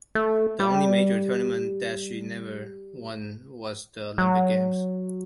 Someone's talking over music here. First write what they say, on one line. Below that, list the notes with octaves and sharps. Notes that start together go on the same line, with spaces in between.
The only major tournament that she never won was the Olympic Games.
A3
G3
F#3